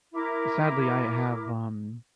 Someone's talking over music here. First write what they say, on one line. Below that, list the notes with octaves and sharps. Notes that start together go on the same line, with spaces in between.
sadly, I have, um
E4 A#4 D6